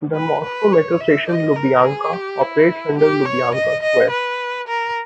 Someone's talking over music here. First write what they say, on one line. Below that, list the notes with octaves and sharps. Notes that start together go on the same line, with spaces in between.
The Moscow Metro station Lubyanka operates under Lubyanka Square.
B4
B4
C#5
E5
D#5
A#4
G#4
G4
E4
G4
C#5
D#5
D#5
B4
A#4